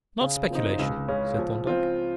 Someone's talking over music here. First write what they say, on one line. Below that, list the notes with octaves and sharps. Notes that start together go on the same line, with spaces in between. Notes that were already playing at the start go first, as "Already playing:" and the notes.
"Not speculation," said Thorndyke.
C#3
F3 C4 D#4
C#2
C#3 G#3 C#4
F3
C4 F4